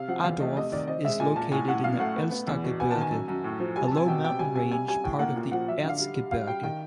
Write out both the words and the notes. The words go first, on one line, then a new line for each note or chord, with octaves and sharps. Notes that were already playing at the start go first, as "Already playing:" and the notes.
Adorf is located in the Elstergebirge, a low mountain range, part of the Erzgebirge.
Already playing: C3 F5
F3 F#5
E2 F5
A3 D#5
C3 D#5
D#3 D5
C4 D#5
G#3 E5
A#2 G#5
A#2 A5
A2 G#5
A2 F#5
F#2 F5
A3 F#5
B3
B3
E2
B2
B3 G#5
A5
D#3
G#5
F#2
F#2
A2
F3
G3 G#5
A5
C3
G#5
B2 G5
B2 G5
G3 G#5
C3 G#5
G3 G#5
G3 G#5
A2 G5
A#3 F#5
A#2
F3 F#5
F#3 E5
D3 F5
G3
G3
G3 F5
G3 G5
D#3 G5